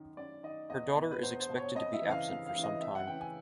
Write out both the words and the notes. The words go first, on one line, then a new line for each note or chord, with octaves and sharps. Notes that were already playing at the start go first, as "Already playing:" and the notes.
Her daughter is expected to be absent for some time.
Already playing: F#2 D#3
F#2 D5
D#3 D#5
E2 D#5
B2
B4
E2 C5
C5
B2
C#5
F2 D#5
E5
E3
C#3 F5
F2 F5
F5
C#3 E3
D#5
F2 E5
F#5
C#3 E3 G5
G#5